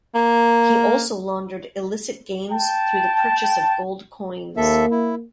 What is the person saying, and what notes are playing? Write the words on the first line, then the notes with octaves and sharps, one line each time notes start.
He also laundered illicit gains through the purchase of gold coins.
A#3
G5 A5
D#2 A#3 A4 E5
E4